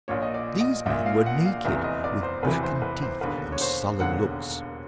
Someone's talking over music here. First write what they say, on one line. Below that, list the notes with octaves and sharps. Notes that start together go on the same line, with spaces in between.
These men were naked with blackened teeth and sullen looks.
A#1 A#2 C#5
D#5
D5
D#5
A#1 A#2 E5
F5
F#5
F5
F1 E2 C3 E3 E5
D#5
D5
C5
F1 E2 C3 E3 B4
C5
B4
C5
E1 D#2 D3 B4
C#5
C5
E1 D#2 D3 F#5